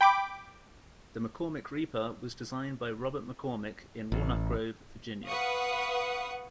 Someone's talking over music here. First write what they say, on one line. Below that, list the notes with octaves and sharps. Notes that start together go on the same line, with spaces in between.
The "McCormick Reaper" was designed by Robert McCormick in Walnut Grove, Virginia.
G5 B5 D6
A1
B4 F5 F#5 C#6 D#6